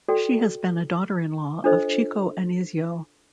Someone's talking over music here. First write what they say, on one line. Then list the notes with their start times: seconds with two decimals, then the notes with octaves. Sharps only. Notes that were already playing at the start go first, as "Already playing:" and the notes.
She has been a daughter-in-law of Chico Anysio.
0.08 F#4 A4 D5 G5
1.64 D4 F4 A4 C5 D#5